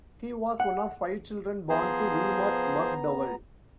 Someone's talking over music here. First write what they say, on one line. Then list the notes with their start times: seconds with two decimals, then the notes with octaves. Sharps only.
He was one of five children born to Wilmot McDowell.
0.60 F#5
1.69 F3 B3 G#4 C5 A#5